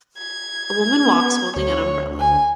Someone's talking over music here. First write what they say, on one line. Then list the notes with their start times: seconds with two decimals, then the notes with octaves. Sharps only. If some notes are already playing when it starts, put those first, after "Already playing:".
A woman walks holding an umbrella.
0.18 G#6
1.07 B3
1.56 D2 C#5
2.20 G#5